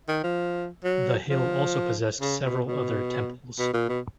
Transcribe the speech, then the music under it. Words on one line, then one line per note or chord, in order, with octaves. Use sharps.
The hill also possessed several other temples.
D#3
F3
F#3
F3
C#3
B2
B2
B2
A#2
B2